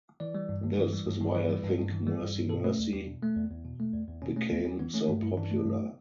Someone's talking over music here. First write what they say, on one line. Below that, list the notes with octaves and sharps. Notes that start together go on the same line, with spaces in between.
This is why I think 'Mercy, Mercy' became so popular.
E3 D5
G3
G2
G2
E3
G3
G2
G2
E3 B4
G3
G2
G2
E3
G3
G2
G2
B2 A4
A3 B4
E2
E2 G4
B2
A3
E2
E2
B2
A3
E2
E2
B2 C#4
A3 C#4
E2 B3
E2 C#4
E3 B3
A3 C#4
G2 D4
G2 E4
E3 D4
A3
G2